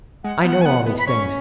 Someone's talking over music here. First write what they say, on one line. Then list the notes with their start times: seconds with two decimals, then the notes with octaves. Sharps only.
I know all these things.
0.24 G#3 F#5
0.45 B3 F#5
0.61 G#5
0.66 B3 F#5
0.86 B3
0.99 B5
1.07 C#4 C#6